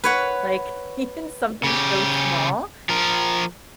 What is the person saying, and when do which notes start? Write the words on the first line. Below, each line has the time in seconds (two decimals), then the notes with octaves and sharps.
Like, even something so small.
0.04 B4 C#5 F#5
1.64 C#3 G4
2.89 F3 A#4